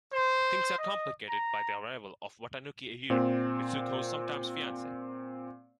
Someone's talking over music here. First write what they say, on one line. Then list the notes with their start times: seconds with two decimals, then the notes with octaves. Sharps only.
Things are complicated by the arrival of Watanuki Eijiro, Mitsuko's sometime fiance.
0.13 C5
0.78 D#5
1.29 A#5
3.10 A#2 C4